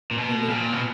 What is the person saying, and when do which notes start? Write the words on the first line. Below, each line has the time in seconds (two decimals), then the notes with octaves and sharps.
"You need one."
0.11 A#2
0.18 B2
0.49 A#2
0.73 B2